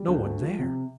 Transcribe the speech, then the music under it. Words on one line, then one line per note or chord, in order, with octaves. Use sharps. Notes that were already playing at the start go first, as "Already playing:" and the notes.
No one there!
Already playing: G3
D2
A3
F3
C3